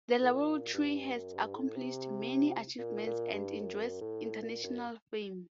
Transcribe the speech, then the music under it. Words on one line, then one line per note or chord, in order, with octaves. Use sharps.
The Laboratory has accomplished many achievements and enjoys international fame.
A2
A#2
G2
F#2
G2
A2
C3
A#2
A#2
G2
F#2
A2
A#2
F#2